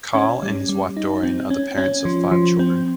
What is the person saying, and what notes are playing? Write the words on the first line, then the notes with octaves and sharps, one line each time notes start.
Carl and his wife, Dorian, are the parents of five children.
C#4
G3
G3
D#4
C4
C#4
C#4
F3
F3
C4